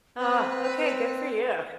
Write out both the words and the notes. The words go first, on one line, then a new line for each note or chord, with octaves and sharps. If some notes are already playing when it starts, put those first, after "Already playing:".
Oh, okay, good for you.
C4 B4